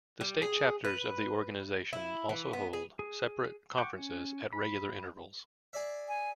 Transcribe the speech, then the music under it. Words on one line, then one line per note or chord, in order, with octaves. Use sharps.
The state chapters of the organisation also hold separate conferences at regular intervals.
G3
G#4
B4
E4
E3
B3
G#4
G#4
F#5 G5 C#6 D6
C#4
B5
G#4 D5 E5
G#5